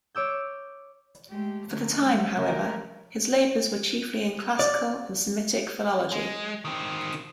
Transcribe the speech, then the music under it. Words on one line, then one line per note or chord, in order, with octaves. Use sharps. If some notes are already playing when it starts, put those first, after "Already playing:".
For the time, however, his labours were chiefly in classical and Semitic philology.
C#5 D6 E6 G6
G#3 A3 G4
D3 F3 A3 A#3
G#3
C#3 F3 A3 G4 A#4
D5
G#3
D#3 C4